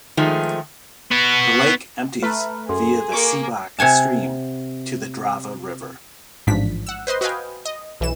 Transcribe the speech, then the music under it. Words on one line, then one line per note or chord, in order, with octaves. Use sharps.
The lake empties via the Seebach stream to the Drava river.
D#3 F3 G#3 A3 G#4
B3 F#4
A3 B4 A#5 B5 F6
F#2 G#4 A4 C6
A#3 C#6 D6
C3 F#5 G#5 A5
A1 G#2 F3 D4 B6
F#5 E6
B4 C5 D#5 C6
F#4 B4 D#5 F5 G5 G#5
D#5
B1 E3 E7